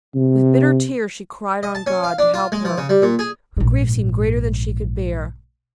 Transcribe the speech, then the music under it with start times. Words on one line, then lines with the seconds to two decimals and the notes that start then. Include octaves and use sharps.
With bitter tears she cried on God to help her; her grief seemed greater than she could bear.
0.16 C3
1.63 D#5
1.75 A5
1.87 C#4
2.04 F5
2.19 D4
2.34 F4
2.52 G#3
2.65 F3
2.78 C#3
2.89 G3
3.02 A#2
3.19 G#4
3.57 A#1 G#2